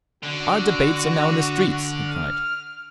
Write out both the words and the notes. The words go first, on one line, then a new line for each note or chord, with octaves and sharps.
"Our debates are now in the streets," he cried.
D3 F#4
F6